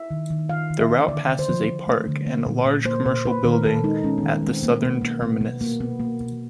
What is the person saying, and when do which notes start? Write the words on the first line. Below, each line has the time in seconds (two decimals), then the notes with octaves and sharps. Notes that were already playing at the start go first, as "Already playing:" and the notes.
The route passes a park and large commercial building at the southern terminus.
Already playing: E5
0.11 D#3
0.31 D#3
0.49 D#3 F5
0.70 D#3
0.80 E5
0.89 A#3
1.08 D3 D5
1.29 D3
1.39 C5
1.49 F3
1.68 F3
1.87 A3
2.07 D3
2.26 A#3
2.46 A#2
2.66 A#2
2.85 A#3 C5
3.05 A#2 C5
3.25 A#2 B4
3.44 D#3 A#4
3.65 D#3 A4
3.83 G#3 D#4
4.04 G#3 C#4
4.18 B3
4.23 D#3
4.33 B3
4.42 G#3
4.48 C4
4.62 B2 A#3
4.83 B2 B3
5.01 B2 A#3
5.22 B2 B3
5.41 B2 B3
5.61 A#3
5.80 B2 B3
6.00 A#3
6.21 B2